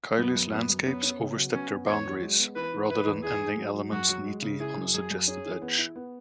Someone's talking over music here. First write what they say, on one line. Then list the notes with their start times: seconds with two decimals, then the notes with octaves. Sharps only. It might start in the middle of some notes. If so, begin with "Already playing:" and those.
Kiley's landscapes overstepped their boundaries rather than ending elements neatly on a suggested edge.
0.18 F#2 B3
0.35 F#2
0.52 F#2 B3
0.69 F#2
0.86 B3 C#4
1.03 C#4
1.19 C#3
1.36 F#3
1.53 B3 C#4
1.71 B3
1.88 E2 C#5
2.05 F#3
2.21 G#3
2.39 B3
2.56 E3 B4
2.73 E3
2.89 E4 B4
3.07 E2
3.23 E4 G#4
3.41 G#2
3.57 F#3
3.74 F#3
3.92 F#2 F#4
4.09 F#3
4.26 G#3
4.42 C#3
4.60 E4 G#4
4.77 F#2
4.94 F#2 G#4
5.11 F#2
5.28 C#4 G#4
5.45 E3
5.62 B3
5.78 E4
5.96 B3